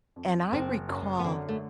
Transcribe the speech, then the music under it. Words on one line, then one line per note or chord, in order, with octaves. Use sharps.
and I recall
F2
F#1 C4
F#2
B3
D3 C4
A3